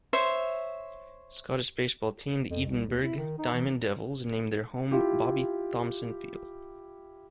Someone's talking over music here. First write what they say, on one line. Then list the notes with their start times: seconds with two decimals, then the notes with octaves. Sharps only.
Scottish baseball team, the Edinburgh Diamond Devils, named their home Bobby Thomson Field.
0.13 C5 C#5 E5
2.50 F2
2.66 C2
2.87 D#2
3.03 E4
3.17 D#3
3.38 D#4
3.53 E3
4.91 E4 F4 G4